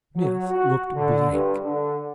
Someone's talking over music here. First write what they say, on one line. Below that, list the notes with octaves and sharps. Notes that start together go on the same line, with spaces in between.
Smith looked blank.
F#3
F#4
D3
G2
D3